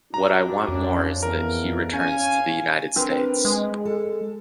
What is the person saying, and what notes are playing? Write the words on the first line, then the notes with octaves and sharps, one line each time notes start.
What I want more is that he returns to the United States.
F#2 G3 D4 F#4 A#5
F2 C#4
E2 A#4
C#4 F5 G#5
C4 D4 A#4 B4
G#3
A4